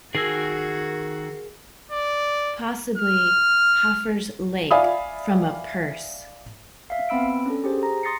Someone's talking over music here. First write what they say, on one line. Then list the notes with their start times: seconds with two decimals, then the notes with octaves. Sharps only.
Possibly 'Hafr's lake', from a pers.
0.15 D#3 F#4 G#4 A#4 G#5 E6 A#6 C7
1.92 D5
2.98 F6
4.71 D5 E5 F5 G#5 B5 D#6
6.90 E5 F5
7.09 B3 C4 B5 E6 D7
7.46 C#4 D4 A4
7.64 G4 G#4 C5
7.83 A#5
8.03 C6 D#6 A6 A#6 C7 C#7